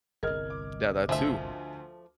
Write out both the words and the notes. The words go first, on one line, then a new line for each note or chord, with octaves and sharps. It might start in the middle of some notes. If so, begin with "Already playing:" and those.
Yeah, that too.
G1 C2 A#4 D#5 F6 G#6
D6
D2 F3 A3 E5 G#5